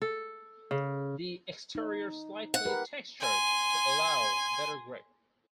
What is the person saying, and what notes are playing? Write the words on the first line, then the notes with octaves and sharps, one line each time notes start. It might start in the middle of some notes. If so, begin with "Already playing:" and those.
The exterior's slightly textured to allow better grip.
A4
C#3
D#4
F#5
G4 A#4 B4
G#5 C6